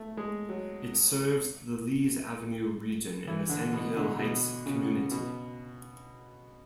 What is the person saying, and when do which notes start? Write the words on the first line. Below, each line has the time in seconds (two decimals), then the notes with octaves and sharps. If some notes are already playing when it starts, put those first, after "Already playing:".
It serves the Lees Avenue region and the Sandy Hill Heights community.
Already playing: A3
0.17 G#3
0.49 F#3
3.27 E3
3.49 D3
3.73 B2
3.97 D3
4.19 B2
4.66 C#3
5.11 B2